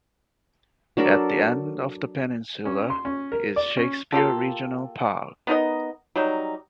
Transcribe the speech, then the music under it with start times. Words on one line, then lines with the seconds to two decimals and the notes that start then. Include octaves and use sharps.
At the end of the peninsula is Shakespear Regional Park.
0.97 F#3 D4 A4 A#4
2.65 C#4
2.90 C6
3.05 C#4
3.32 A#4
3.56 D5
3.77 C#4
4.12 A#3 F4 G4 A4
5.47 B3 D#4 A#4 D#5
6.16 F#3 G3 D#4